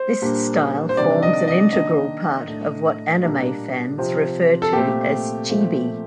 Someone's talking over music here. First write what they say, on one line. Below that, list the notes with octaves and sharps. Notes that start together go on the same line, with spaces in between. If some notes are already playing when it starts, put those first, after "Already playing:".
This style forms an integral part of what anime fans refer to as chibi.
Already playing: C5
A#2 G3 A#3 D4
C5
C3 D#3 G3 D4 D5
D#5
D#5
D#3 A#3 D4 D#5
A2 A3 D4
A#2 G3 A#3 D4
C3 F3 C4
A4
A#2 A3 C4 G4
A#2 F3 A3 C4